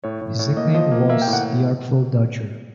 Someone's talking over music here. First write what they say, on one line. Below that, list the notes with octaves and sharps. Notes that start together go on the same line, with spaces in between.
His nickname was 'The Artful Dodger'.
A2 C#5
A2
A2 C#5
A#3 D#5
F3 D#5
A#3
A#3 E5
G5
A2
F#5